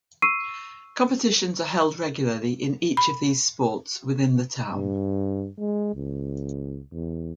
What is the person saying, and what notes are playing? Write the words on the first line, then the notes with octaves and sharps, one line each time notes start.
Competitions are held regularly in each of these sports within the town.
C#6 E6 C7 D#7
B5
G2
G#3
C#2
E2